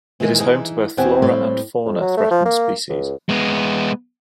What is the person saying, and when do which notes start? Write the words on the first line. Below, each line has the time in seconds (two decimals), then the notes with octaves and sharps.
It is home to both flora and fauna threatened species.
0.20 A#2 D#3 E3 F#3 G#3 A#3
0.40 E3 D#4 G#4
0.97 E2 B2 C4 G4 F#5 G#5
1.22 A2 G3 C4 B4 C#5
1.85 F2
2.01 F#3
2.17 A3
2.31 F3
2.45 A#3
2.89 C#2
3.29 G#3 B3